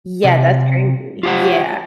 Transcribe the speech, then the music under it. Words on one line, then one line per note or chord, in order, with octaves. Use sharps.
Yeah, that's crazy. Yeah.
C3
F4 G4 C5 F#5